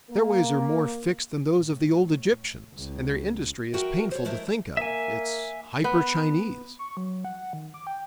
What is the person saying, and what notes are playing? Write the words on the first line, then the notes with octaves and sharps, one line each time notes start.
Their ways are more fixed than those of the old Egyptians, and their industry is painful to think of, it's hyper-Chinese.
A#3
A2
C#2
F#4 A#4 E5 G5
C5 C#5
G#3 A3 E4 A#4 C5
A#3 E5 G#5
B3
C#6
F#3
F#5
D#3
D6
G5